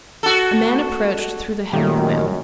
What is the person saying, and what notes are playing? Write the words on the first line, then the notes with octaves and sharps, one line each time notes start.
A man approached through the heavy gloom.
F#4 A4
F#2 A#2 D#3 A3 A#3 G4